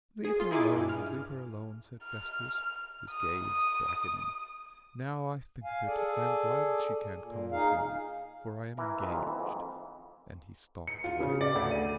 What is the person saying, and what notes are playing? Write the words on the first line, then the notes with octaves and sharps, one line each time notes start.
'Leave her alone, leave her alone,' said Festus, his gaze blackening. 'Now I think of it I am glad she can't come with me, for I am engaged;' and he stalked away.
G#4
F4 C6
D#4 E4 G#4 G#5 D6
G2
F6
F6
D#6
F5 G#5
G#4 A4 D5 G#5
A#2
D#4 G#4 F5
E3 A#4
F2 E5 A#5
D#2
E3 C4
F2 G#2
C#7
F4
C#3
D5
D2
D#7